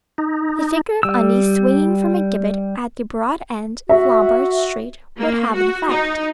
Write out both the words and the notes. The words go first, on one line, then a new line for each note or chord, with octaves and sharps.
The figure of Undy swinging from a gibbet at the broad end of Lombard Street would have an effect.
D#4
G3 E6
F#4 E5
A#3
F#4
D#4